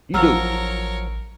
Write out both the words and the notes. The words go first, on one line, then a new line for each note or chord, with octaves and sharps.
You do.
A1 F3 F#3 A#4 C#5 A#5 E6 F6